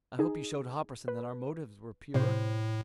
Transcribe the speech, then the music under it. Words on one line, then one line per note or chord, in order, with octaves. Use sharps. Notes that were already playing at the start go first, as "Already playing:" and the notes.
"I hope you showed Hopperson that our motives were pure?"
D#4 G#4
B4
A2 C3 C5